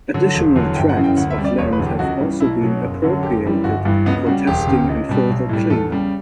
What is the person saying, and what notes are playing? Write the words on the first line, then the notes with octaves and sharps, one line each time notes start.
Additional tracts of land have also been appropriated for testing and further cleanup.
D3 F#3
E1
E2 D3 F#3
G1 G5
F#5
F#2 C#3 E3
G5
D2 F#5
E5
C#3 G3
D5
E1 C#5
B4
E2 D3 F#3
G4
C#2 F#4
C#3 E3 G3
B1 E4
B2 F#3
F#1
F#2 D3 F#3
F#1 G4
F#2 E3 G3
G1 F#4
G2 E3 G3
C#2 B3
C#3 G3 F#4
E1 G4
D2 C#3
C#2
B2 G3
B1
A2 G3
E2 A4
C#3 G3